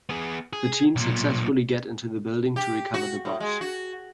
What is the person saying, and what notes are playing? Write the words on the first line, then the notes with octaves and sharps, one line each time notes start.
The team successfully get into the building to recover the box.
B3 G#4
G#4
B1 A#2
G4
F#4
A2
G#3
F#4